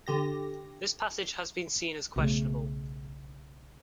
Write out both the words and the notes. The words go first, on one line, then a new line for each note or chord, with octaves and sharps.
This passage has been seen as questionable.
D3 G4 A#6
B1 C#3 A3